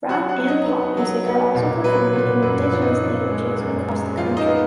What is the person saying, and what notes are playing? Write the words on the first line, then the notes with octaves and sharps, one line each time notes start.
Rap and pop music are also performed in indigenous languages across the country.
F#3 F#4 F#5
F#4 F#5
F#3
D#4 D#5
B3
F#3
B3
A#2
F#3 B4
A#2
F#2 B4
B4
F3
D#4 D#5
F3
G#3
F#2
G#3
F3 F4 F5
D#4 D#5
B3